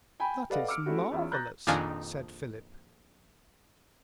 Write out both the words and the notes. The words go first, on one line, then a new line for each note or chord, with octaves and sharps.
"That is marvelous!" said Philip.
G5 G#5 B5
A4 B4 D5 D#5 F5 F#5
D6 E6 F6 C#7 D7
G3 A3 C#4 E4 F#4
E2 C#4 E4 F4
A#5 F#6 G6 A6 A#6
A#1 F2 D#3 D4 F5 G#5